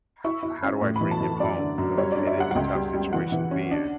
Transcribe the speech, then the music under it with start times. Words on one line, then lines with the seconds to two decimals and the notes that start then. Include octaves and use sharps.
h how do I bring him home? So it's it is a tough situation to be in.
0.24 E4 C#6
0.43 E4
0.63 C#4
0.81 A2
0.96 E3 B5
1.11 A5
1.20 E3
1.40 F#2 D5
1.58 D3
1.78 F#2
1.97 G3 C#5
2.12 D4 D5
2.27 E5
2.36 G3 F#5
2.51 F#5
2.55 C#2 G5
2.75 G3
2.94 G3
3.13 E3 F#5
3.32 E3
3.51 C#4
3.71 D4